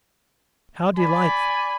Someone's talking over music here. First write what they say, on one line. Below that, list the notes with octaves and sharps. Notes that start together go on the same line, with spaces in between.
How delightful!
D5 G#5 B5